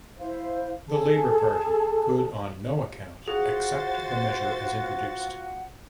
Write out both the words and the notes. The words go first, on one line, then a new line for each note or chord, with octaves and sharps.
The Labor Party could on no account accept the measure as introduced.
E4 C5 F5
G#4 A4 A5
F4 F#4 G#4 C5 F#5 A6